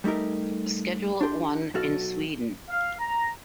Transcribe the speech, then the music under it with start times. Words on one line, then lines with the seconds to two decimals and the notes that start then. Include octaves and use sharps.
Schedule One in Sweden.
0.04 G3 A3 D#4 G4 A#4
1.21 D4 G4 C6
1.74 B1 B2 F#4 A4 F5
2.69 F5
2.99 A#5